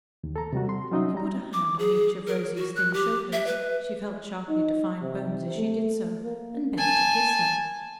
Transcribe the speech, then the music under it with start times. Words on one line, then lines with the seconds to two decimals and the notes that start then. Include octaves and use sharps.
She put a hand on each of Rosy's thin shoulders--she felt sharply defined bones as she did so--and bent to kiss her.
0.24 D#2
0.36 A4 A#5
0.53 C3 G3 F#4
0.69 C6
0.91 F#3 C#4 D#4 F#4 D#5 E5
1.15 G3 A#5
1.53 D6
1.79 G#4
2.27 A#4
2.56 F#4
2.76 F#6
2.94 G4
3.33 E5
3.47 B4
4.49 D#4
5.01 C3
5.57 A3
6.24 A#3
6.78 G#5 A5